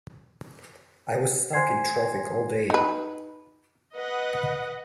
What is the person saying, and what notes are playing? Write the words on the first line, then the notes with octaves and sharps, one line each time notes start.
I was stuck in traffic all day!
C5 G#5 C6 G#6 C7
D#4 B4
B4 D#5 F#5